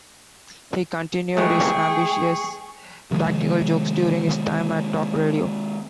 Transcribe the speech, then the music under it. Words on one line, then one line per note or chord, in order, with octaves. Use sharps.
He continued his ambitious practical jokes during his time at Talk Radio.
E3 G#3 A3 G#4 G5 C#6
C3 D#3 F3 G#3